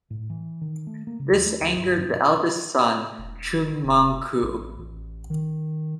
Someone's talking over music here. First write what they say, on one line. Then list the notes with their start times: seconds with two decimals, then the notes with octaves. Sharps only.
This angered the eldest son Chung Mong-koo.
0.10 A2
0.30 E3
0.61 D#3
0.87 A3
1.07 A#3
1.19 C#3
1.31 D#2
1.46 A3
1.60 D2
1.74 G1
1.96 F#2
2.12 B2
3.18 E1
3.84 F1
4.42 A1
4.79 A1
5.30 D#3